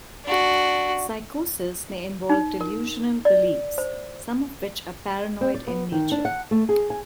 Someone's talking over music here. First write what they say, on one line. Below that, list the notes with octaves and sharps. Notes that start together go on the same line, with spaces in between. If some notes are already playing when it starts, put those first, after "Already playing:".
Psychosis may involve delusional beliefs, some of which are paranoid in nature.
D4 F#4
D#4
A#4
D5
C5
C4
D5
B3
D#3
D4
F#5
A3
G#4
G#5